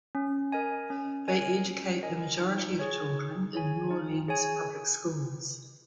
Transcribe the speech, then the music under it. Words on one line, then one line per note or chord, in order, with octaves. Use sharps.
They educate the majority of children in New Orleans Public Schools.
C#4
A#4 D#5 G#5
C#4
A#4 D#5 G#5
C#4
A#4 D#5 G#5
D#4
G#4 C#5 G#5
D#4
G#4 C#5 G#5
D#4
G#4 C#5 G#5